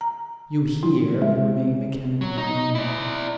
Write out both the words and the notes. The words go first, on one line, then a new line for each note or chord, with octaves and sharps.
You hear, and remain mechanically amiable.
A#5
E4
G#3
F#3
D#4
E4 D5